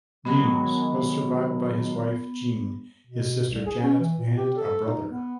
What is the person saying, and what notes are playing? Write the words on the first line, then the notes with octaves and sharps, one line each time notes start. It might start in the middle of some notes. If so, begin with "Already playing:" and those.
Reems was survived by his wife, Jeanne, his sister Janet, and a brother.
D#3 F#3 G#3 B3
B2
C2
G#4
C#4
E3
A#2
G4
A4
D#4
B3